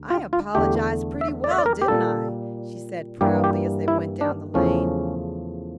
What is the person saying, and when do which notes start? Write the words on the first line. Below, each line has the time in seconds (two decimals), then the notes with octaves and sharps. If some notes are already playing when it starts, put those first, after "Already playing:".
"I apologized pretty well, didn't I?" she said proudly as they went down the lane.
Already playing: D2
0.10 F4
0.33 F4
0.55 E2 D3 A3 G4
1.21 E5
1.44 D5
1.51 E5
1.58 D5
1.66 A#4
1.82 G4
1.88 A#2 G3 A#3 A4
3.21 G2 E3 G3 A#3 G4
3.44 G4
3.88 E4
4.21 D4
4.54 E2 C#3 F3 A3 C#4